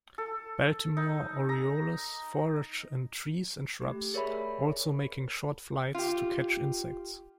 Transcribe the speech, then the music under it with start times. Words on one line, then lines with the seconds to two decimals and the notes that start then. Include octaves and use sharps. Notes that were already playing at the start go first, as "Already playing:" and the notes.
Baltimore orioles forage in trees and shrubs, also making short flights to catch insects.
0.18 A4
0.97 D#4
1.49 A#5
3.81 A3 G4
4.14 G#4 A#4 C#5 D5 E5 B5
5.95 F4 G4